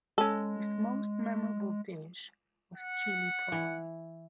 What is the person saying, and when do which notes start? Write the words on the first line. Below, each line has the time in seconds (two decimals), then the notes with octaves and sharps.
His most memorable dish was Chili Prawns.
0.18 G#3 C#4 A4
2.76 F#5
3.52 E3